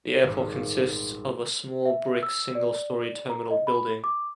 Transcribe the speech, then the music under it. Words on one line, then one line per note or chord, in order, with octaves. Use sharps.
The airport consists of a small brick single storey terminal building.
D#1 G#1 G3 F5 C#7
E5
E6
D5
A#5
D#5
B5
D6